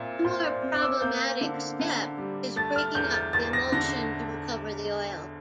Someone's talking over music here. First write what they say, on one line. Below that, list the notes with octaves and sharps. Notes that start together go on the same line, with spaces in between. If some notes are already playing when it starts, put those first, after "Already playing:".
The more problematic step is breaking up the emulsion to recover the oil.
Already playing: A#2 C4 E5
A#2 C5
D5
C4
D6
E6
A#3 G6
D3
D3
G3
A3 A6
F6
E2 G6
A6
E2 A6
A#6
D3 A#6